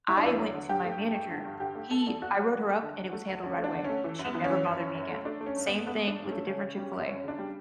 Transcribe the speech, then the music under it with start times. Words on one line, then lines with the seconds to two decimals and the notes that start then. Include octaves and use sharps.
I went to my manager. He I wrote her up and it was handled right away. She never bothered me again. Same thing with a different Chick-fil-A.
0.08 G3 E4
0.17 D4
0.24 E2 E4
0.39 F#3
0.54 D3
0.69 G2 G4
0.84 A3
0.99 G2
1.15 A3
1.31 D3
1.45 G2
1.60 D3 G4
1.75 A3
1.91 A3 A4
2.07 E2
2.22 E2 F#4
2.37 F#3
2.52 E2
2.67 A3
2.83 D3
2.98 D2
3.13 A3
3.28 D2
3.43 D2 C#4
3.58 A3
3.64 D4
3.74 D3
3.84 A3 C#4
4.04 E3
4.19 F#2
4.25 B3
4.35 E3
4.44 C#4
4.50 E3
4.66 F#2
4.80 E3
4.95 F#2
5.10 A3
5.25 A3 D4
5.41 A3
5.46 C#4
5.56 G2
5.66 B3
5.72 G2
5.86 A3 B3
6.02 A3
6.07 D4
6.17 G2
6.28 A3 C#4
6.47 C#3 C#4
6.62 C#3
6.78 G3
6.93 F#2
7.08 F#2 C#4
7.24 C#3 D4
7.39 G3